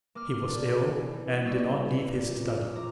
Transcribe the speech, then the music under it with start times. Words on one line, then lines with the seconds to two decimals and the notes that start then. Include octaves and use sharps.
He was ill and did not leave his study.
0.15 A#3 D6 F6
0.48 D4
0.81 E3
1.14 E3
1.44 G3 C#6 E6
1.78 C#4
2.11 A#2
2.44 A#2
2.51 F6
2.63 E6
2.75 F3 A#5 D6